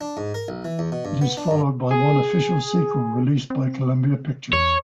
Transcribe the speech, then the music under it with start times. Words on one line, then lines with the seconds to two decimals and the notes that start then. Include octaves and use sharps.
It is followed by one official sequel released by Columbia Pictures.
0.01 D4
0.17 G#2
0.34 A#4
0.48 B1
0.65 E3
0.79 E2
0.92 B2
1.05 G2
1.21 B3
1.37 D4
1.51 G2
1.91 G#4
3.50 C4
4.53 E2 C#5